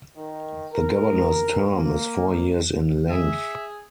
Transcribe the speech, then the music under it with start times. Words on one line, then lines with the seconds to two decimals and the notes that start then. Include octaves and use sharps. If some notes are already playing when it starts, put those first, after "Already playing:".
The governor's term is four years in length.
0.16 D#3
0.72 A#4
1.72 A#3
3.10 G#4 E5